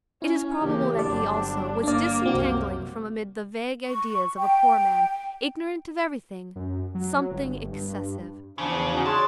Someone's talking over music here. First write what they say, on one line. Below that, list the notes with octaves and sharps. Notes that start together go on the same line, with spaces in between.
It is probable that he, also, was disentangling from amid the vague ideas of a poor man, ignorant of everything, something excessive.
C#4 E4
C#3 E3 A#3 G4
G1 F#3 C4 D4 D5
G1 A#3 D4 D5
C2 F#2 C3 C4 F#4
C#6
G5
F#2
F#3
G1
G2
E2 C#3 F3 D4
C#4 D#4 F#4
G#3 C#5 D5 A5